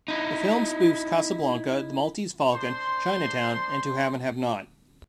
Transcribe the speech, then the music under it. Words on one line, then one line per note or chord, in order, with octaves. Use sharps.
The film spoofs "Casablanca", "The Maltese Falcon", "Chinatown", and "To Have and Have Not".
D#4 E4
D4 C5 C6